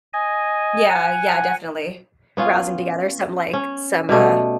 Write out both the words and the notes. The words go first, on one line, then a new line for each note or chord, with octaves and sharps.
Yeah, yeah, definitely. Rousing together some, like some, uh
D#5 G#5
F#5 G#5
B3 C#4 F4
C#4
B2 G3 A3 B3